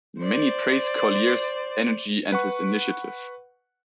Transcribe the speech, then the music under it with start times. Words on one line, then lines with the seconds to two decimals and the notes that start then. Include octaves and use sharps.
Many praise Collier's energy and his initiative.
0.20 C5 D5
2.32 B4 F#5 C#6